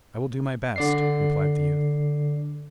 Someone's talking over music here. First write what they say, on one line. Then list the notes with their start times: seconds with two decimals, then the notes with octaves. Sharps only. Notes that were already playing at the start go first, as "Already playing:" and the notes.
'I will do my best,' replied the youth.
0.76 D3 D5 C7